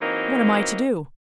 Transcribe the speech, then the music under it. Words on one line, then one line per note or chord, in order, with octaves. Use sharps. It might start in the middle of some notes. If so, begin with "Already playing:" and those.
"What am I to do?"
E3 F#3 A#3 C4 D#4